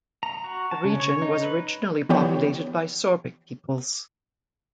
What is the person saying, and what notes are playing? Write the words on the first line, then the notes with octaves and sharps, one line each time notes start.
The region was originally populated by Sorbic peoples.
A#5
F#4
A5
C#3
C#5
D#4
B4
E3 F3 B3 G4 C#5